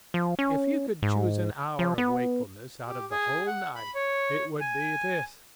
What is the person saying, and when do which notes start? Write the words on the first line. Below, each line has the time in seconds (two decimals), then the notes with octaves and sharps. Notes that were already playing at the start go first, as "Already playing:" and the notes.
If you could choose an hour of wakefulness out of the whole night, it would be this.
0.14 F3
0.39 C#4
1.02 G#2
1.79 F3
1.98 B3
2.87 G4
3.11 G#4
3.47 F#5
3.76 B5
3.95 C#5
4.61 G#5